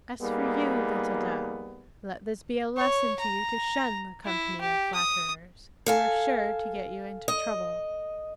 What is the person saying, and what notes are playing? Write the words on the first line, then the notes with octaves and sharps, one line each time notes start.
As for you, little Dove, let this be a lesson to you to shun the company of flatterers, who are sure to get you into trouble.
G3 A#3 B3 D#4 G#4
C#5
A#5
E4
G4
D#6
A4 F5 G#5
D#5